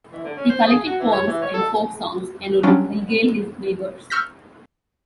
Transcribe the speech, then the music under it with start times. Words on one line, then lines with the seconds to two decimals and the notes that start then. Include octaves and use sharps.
He collected poems and folk songs and would regale his neighbours.
0.12 E3
0.23 D3
0.37 C#4
0.49 C5
0.67 G#4
0.86 F#4
1.00 E3
1.13 C#5
1.27 E3
1.42 C#5
1.54 A4
2.63 F#3 G3 C#4 D4 F4 F#4
4.10 C#6 E6 F6 G6 A#6 B6